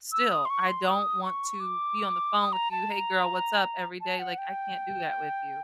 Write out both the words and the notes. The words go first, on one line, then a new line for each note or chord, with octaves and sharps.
still, I don't want to be on the phone with you, "Hey, girl, what's up?" Every day, like, I can't do that with you.
E6
D#6
C6
C#6
C6
D#6
C#6
D6
D#6
A#5
A5
A#5
A5
F#5
G5